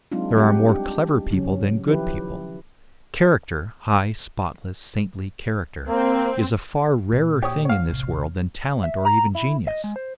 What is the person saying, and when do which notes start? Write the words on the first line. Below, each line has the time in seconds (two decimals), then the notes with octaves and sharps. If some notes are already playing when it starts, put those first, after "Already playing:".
There are more clever people than good people; character,--high, spotless, saintly character,--is a far rarer thing in this world than talent or even genius.
0.12 F#3 G#3 C4 D4 D#4 F4
0.36 G3 G#3 C4 G4 F#5
0.69 D4 G4
1.30 C#3 F#3 C#4
1.87 D#3 F3 E4 G4 B4
5.88 A#3 C4
7.12 A#2
7.42 G4 C#5 D#6
7.65 C#5 F5
7.89 A1 C3
8.82 E5
9.05 A#5
9.35 E4
9.67 D#5
9.84 G#3
9.96 C5